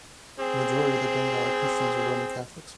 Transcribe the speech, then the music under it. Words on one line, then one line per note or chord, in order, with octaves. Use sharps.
The majority of Bengali Christians are Roman Catholics.
C4 G#4